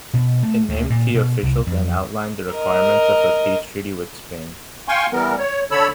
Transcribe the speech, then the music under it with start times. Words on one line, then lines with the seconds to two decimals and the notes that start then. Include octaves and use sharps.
It named key officials and outlined the requirements of a peace treaty with Spain.
0.13 B2
0.43 A3
0.69 D2
0.90 A#2
1.15 B2
1.43 C2
1.67 F2
2.52 A#4 D#5
4.88 F5 G5 G#5 C6 C#6
5.12 E3 G3 B3 A#4
5.39 C#5
5.71 D3 A4 C#5 B5 E6